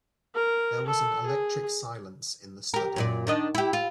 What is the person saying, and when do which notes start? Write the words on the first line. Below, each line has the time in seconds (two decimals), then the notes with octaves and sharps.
There was an electric silence in the study.
0.35 A#4
0.86 A4
1.26 G#4
2.74 G4 A#4
2.96 F#2 A#2 D5
3.27 D#3 D4 D#5
3.55 E4 G4
3.73 F4